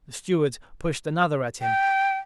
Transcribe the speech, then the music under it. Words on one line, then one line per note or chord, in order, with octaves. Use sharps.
The stewards pushed another at him.
G5